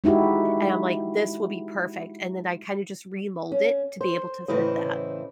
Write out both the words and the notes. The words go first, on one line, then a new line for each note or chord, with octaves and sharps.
And I'm like, "This will be perfect," and then I kinda just remold it to be able to fit that.
G#3 D#4 E4 F#4 G4
C#4
C5
A2 C#3 E3 E4 C5 D#5